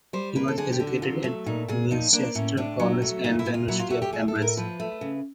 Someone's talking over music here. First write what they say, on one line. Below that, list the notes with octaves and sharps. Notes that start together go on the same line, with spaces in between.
He was educated at Winchester College and the University of Cambridge.
G3 C5
A#3 B4
A4
D3 G#4
G4
D3
F#4
F#3 F4
A3
A#2 D#4
A#2 G#4
F3 D#4
A#3 D4
A2 C#4
A2 D4
F#3
A3
A#2 D#4
E4
A#2
F4
F#3 E4
F4
A3 F#4
G4
A2 G#4
A4
A2
A#4
F3 B4
A3
C#3